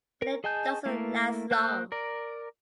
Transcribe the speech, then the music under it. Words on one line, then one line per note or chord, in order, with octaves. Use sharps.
But it doesn't last long.
A#4
G#4 D#5 G#5 A5 G6
A3 A#3 E4
A#3 C5 F#6 G6
A#4 D5